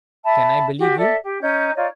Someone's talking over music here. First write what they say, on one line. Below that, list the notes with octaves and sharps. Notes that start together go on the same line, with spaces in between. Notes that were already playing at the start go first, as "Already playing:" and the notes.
"Can I believe you?"
E5 A5 B5
F#4 G4
A4 D5 E5
G4
C#4 D#4 G6
D#4 F4 C#5 D5